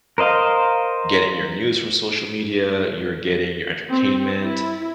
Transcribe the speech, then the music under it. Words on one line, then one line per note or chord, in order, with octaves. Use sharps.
getting your news from social media, you're getting your entertainment.
A#4 C5 D#5 F5
C4
E4